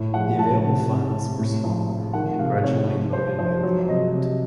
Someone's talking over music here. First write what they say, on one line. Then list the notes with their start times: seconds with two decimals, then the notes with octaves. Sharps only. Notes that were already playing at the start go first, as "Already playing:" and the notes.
The available funds were small, and grudgingly voted by the parliament.
Already playing: A2
0.13 F3 F#5
0.39 A2 A5
0.64 C3
0.89 C3
1.14 C3
1.39 A2
1.63 F3
1.89 F3
2.13 D#3 F#5
2.39 C3 F5
2.63 C3 C#5
2.89 F3
3.13 F3 C5
3.38 F3 C5
3.63 F#3 C#5
3.88 C3 D#5
4.13 C3